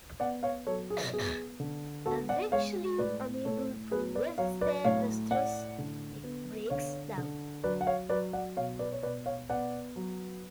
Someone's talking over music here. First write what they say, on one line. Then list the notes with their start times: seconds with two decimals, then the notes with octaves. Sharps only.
Eventually, unable to withstand the stress, it breaks down.
0.20 B3 D5 F#5
0.43 C#5 F5
0.67 F#3 A4 C#5
0.90 G#4
1.13 B3 G#4
1.60 D3
2.06 B3 F#4 A4
2.29 D5 F#5
2.52 G#3 C#5 F5
2.98 A2 B4 D5
3.45 A2 A4 C#5
3.91 B3 G#4 B4
4.15 B4 D5
4.38 F#3 C#5 F5
4.61 B4 D5
4.85 A2 C#5 F5
5.31 A2 D5 F#5
5.78 D3
6.24 B3
6.70 D3 C#5 F5
7.18 D3
7.64 F#3 B4 D5
7.81 F#5
7.87 C#5 F5
8.09 F#3 B4 D5
8.33 D5 F#5
8.57 B2 C#5 F5
8.79 B4 D5
8.93 C#5
9.02 B2 B4 D5
9.26 C#5 F5
9.50 B3 D5 F#5
9.96 F#3